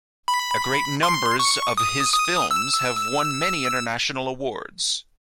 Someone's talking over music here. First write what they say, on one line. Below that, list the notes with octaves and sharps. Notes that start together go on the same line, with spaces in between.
A great numbers of his films have won many international awards.
B5
C6
C#6
D#6
D#6
E6